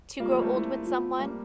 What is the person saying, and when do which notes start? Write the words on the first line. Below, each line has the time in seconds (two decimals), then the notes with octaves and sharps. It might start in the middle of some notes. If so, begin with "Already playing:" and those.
to grow old with someone,
0.20 G3 A#3 F4
0.31 F3 A3
0.42 A3 C4
0.53 A3 C4 E4
0.86 F4
1.19 G3 A#3